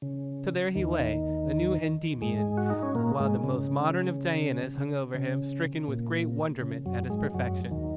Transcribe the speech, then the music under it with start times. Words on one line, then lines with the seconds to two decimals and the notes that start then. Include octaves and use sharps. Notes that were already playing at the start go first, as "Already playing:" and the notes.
So there he lay, a new Endymion, while the most modern of Dianas hung over him, stricken with great wonderment at his perfection.
0.02 C#3
0.75 D#2 D#3
2.22 G#2 G#3
2.57 F#4
2.70 D#4
2.83 C#4
2.95 A#2 A#3
3.20 G#2 G#3
3.44 C#3
5.14 C#3
5.88 A#2
6.61 C#3
6.86 F#2 F#3
7.10 G#2 G#3
7.34 F#2 F#3
7.71 D#2 D#3